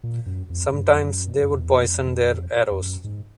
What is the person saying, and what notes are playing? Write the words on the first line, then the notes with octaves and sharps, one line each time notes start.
Sometimes they would poison their arrows.
A#2
F#2
F2
G2
F#2
F2
F#2
F#2
F2
E2
F2
F2
F#2
G#2